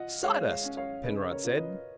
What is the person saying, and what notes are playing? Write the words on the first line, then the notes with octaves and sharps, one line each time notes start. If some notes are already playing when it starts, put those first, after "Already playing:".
"Sawdust," Penrod said.
Already playing: F4 D#5 F#5
G#3 C#5 F5
C#5 F5
C#4
C#5 F5
C#3 B4 D#5
A#4 C#5
F4
B4 D#5